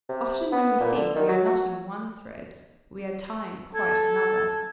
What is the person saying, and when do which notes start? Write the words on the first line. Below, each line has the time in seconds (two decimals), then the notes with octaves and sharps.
Often when we think we are knotting one thread, we are tying quite another.
0.09 C3
0.52 B3
0.80 A#2
0.95 D3
1.15 D#3
1.28 F#3
1.46 F#4
3.75 A4 G#6